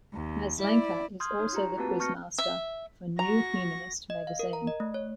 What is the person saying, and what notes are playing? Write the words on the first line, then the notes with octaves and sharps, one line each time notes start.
Maslanka is also the quizmaster for "New Humanist" magazine.
D#2
E4 D5
C6 D#6 F6 G6 G#6
D#4 C#5
F4 G4 A#5
A3 A#3 C4 F#4 B4 A5
A5 C#6 F6 G6 A#6 C#7
E5
F#4 A#5 C#6 A#6
D#5
F5
A#4
A#5
D#5
A3
C#5